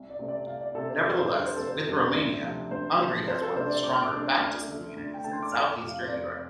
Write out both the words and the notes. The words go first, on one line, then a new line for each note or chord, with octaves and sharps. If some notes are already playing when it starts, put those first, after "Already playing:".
Nevertheless, with Romania, Hungary has one of the stronger Baptist communities in southeastern Europe.
Already playing: C2
D5
C3 A3 C4
D5
C2 F5
D5
C3 A3 C4 A4
C5
F1 A4
C5
F2 D3 G3
C5
F1 A4
C5
F2 D3 G3
D2
C3 F3
D2 C5
C3 F3 C5
C2 C5
A4
C3 A3 D4 C5
D5
C2 D6
F6
D6
C3 A3 D4
D2 F6
D3 A3
D2
G5
D3 A3 A5
C6
D6
F1 F6
D6
F2 C3 A3
F5
C5
F1 D5